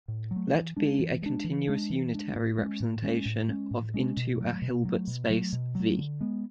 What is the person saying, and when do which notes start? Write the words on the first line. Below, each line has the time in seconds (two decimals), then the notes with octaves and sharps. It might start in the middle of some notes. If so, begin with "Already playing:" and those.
Let be a continuous unitary representation of into a Hilbert space "V".
0.08 A2
0.31 F#3
0.36 A3
0.55 E3
0.77 G#3 D4
0.99 E3
1.22 G#3 D4
1.44 E3
1.68 G#3 D4
1.90 E3
2.13 G#3 D4
2.36 A2
2.58 G#3 C#4
2.80 A2
3.03 G#3 C#4
3.26 A2
3.48 G#3 C#4
3.71 A2
3.94 G#3 C#4
4.17 B2
4.40 F#3 A3
4.62 B2
4.85 F#3 A3
5.07 B2
5.30 F#3 A3
5.53 B2
5.75 F#3 A3
5.98 D3
6.21 G#3 B3